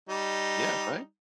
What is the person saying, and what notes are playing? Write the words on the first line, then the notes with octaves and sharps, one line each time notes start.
Yeah, right?
G3 D#4